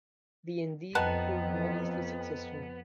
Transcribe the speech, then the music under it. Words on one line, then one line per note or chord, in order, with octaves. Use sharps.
The endeavor proved modestly successful.
F2 B3 B4 D#5 F#5 G5 A5 A#5